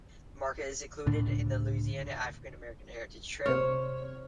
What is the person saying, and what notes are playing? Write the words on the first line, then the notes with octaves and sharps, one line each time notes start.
The market is included on the Louisiana African American Heritage Trail.
C#2 A2 D3 D4
C3 C5 C#5 F6